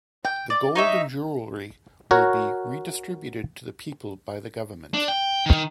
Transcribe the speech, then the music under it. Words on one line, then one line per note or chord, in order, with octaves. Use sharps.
The gold and jewellery will be redistributed to the people by the government.
G5
D5
D#4 C#5 E5
F#4 A#4 C#5
D4
G5
D#3